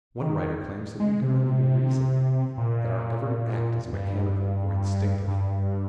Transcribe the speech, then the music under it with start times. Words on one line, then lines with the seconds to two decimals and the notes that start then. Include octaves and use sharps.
One writer claims that we do not even reason--that our every act is mechanical, or instinctive.
0.22 D#3
1.00 G#3
1.22 C3
2.58 A#2
3.93 G2
5.28 G2